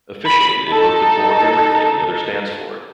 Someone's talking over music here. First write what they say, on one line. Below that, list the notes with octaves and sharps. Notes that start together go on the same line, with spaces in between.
Officially, they both deplore everything the other stands for.
B5
D#4 A4